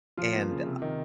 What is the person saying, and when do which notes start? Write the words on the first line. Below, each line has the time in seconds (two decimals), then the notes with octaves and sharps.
And, uh,
0.17 F3 F4
0.33 A#3
0.50 C#3
0.66 C3
0.82 D#3